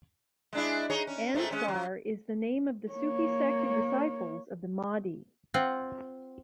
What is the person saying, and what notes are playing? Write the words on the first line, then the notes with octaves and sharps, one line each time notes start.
Ansar is the name of the Sufi sect of disciples of the Mahdi.
G#3 D4 E4
D#4 G#4 C#5
C#4
G#2 A3 C4
G#3 C#4
F#3
A#3 C#5
C4 F4 F#5